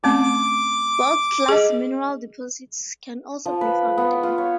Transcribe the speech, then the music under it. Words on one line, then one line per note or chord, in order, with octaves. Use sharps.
World-class mineral deposits can also be found there.
A3 C4 C#4 D6
G#4 D#5
F3
B4
B3
F4
C#5